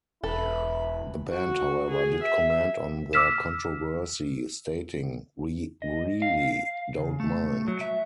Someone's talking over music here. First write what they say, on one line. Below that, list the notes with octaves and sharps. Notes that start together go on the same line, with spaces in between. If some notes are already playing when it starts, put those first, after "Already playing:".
The band however, did comment on their controversy, stating; We really don't mind.
E1 E4 A4 B4 B5
F#4
G#4
E5
D6 E6 F6 B6 E7
D#5
F5
C#3
A3
F#3
E5